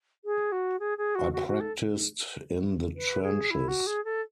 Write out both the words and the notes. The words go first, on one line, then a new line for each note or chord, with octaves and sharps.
I practised in the trenches.
G#4
F#4
G#4
G#4
F#4
F#4
F#4
A4
B4
G#4
E4
F#4
G#4
A4